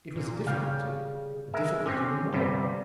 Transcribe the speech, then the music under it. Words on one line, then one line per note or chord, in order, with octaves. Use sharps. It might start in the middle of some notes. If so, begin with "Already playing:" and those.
It was a difficulty--a difficulty the more.
A#2
C#3 G3 F5 G5
G#3 A#4 E5
D3 C4 C#4
G1 C3 G3